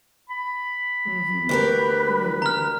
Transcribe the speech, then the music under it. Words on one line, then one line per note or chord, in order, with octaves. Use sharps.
Mhm, mm.
B5
D2 G4 A#4 B4
A#5 F6